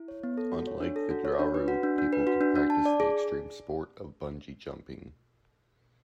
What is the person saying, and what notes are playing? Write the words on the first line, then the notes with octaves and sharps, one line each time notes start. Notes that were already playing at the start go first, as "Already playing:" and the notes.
On Lake Vidraru, people can practice the extreme sport of bungee jumping.
Already playing: E4
C#5
B3
A4
F#4
C#5
D4
A4
F#4
C#5
D4
B4
F#4
D4
D4
B4
F#4
D4
D4
A5
D5
G#4